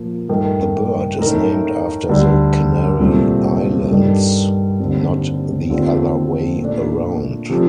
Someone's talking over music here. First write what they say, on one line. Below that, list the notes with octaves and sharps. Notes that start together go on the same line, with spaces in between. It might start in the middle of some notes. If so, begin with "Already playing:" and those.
The bird is named after the Canary Islands, not the other way around.
Already playing: A#2 F3 A#3
G2 D#3 A3
A2 A3 D#4 A#4
D2 D3 G3
C2 A#2 A3 C4
G2 D#3 G3 D4 A4
D#2 D3 G3 C4
D#2 D3 A3 C4 F4
A#2 A3 D4
C3 F3 A3